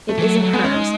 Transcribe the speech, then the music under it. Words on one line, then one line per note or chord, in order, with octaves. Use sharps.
It isn't hers!
A3
E3
F#3
G#3 B3
C#4
D#4